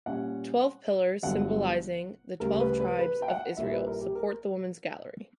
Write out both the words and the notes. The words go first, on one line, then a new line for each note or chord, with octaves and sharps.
Twelve pillars, symbolising the twelve tribes of Israel, support the women's gallery.
A#2 G3 C#4 F#5
G1 G2 D3 F#3 F#5
D2 C#3 G3 A#4
B4
B4
B4
G5
F#5
A#1 A#2 G3 A#3 E4 E5
B4
A#4
G4
A#4